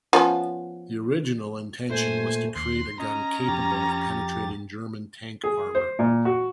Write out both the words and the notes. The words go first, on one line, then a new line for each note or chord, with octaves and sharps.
The original intention was to create a gun capable of penetrating German tank armour.
F3 B3 C#4
A#2 A3 C5 G#5
D#2 C6 F#6
C#4 D#5 A#5
F2 G4 A6
G#4
C5
A#2
F#4